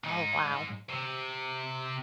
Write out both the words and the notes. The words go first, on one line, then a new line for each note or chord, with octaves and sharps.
Oh, wow.
G#2 D#4
C3